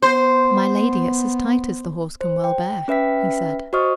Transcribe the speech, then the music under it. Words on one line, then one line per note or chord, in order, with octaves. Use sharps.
"My lady, it is as tight as the horse can well bear," he said.
B3 C5
C5
G5
C#4 B4 E5 G5 B6
F#4 C5 D#5 C#6 D#6 F6